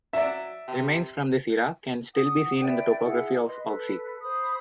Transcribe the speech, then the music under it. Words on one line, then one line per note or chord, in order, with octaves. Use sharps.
Remains from this era can still be seen in the topography of Oxie.
F#3 D5 E5
C3
F#5 D#6
B4 D5 E5 G5
E4 G#4 E5 F#5
B4 D#5 C6
A4 B4
C5 B5 D#6